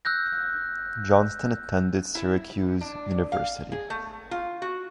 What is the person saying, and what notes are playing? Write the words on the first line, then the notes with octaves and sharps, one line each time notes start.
Johnston attended Syracuse University.
E6 F#6 G6 A#6
E4
D4
F5
G#4
A3
F4
F#4